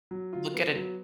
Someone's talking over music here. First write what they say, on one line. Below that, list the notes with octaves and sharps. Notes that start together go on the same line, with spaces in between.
look at it
F#3
F4
B3
F#3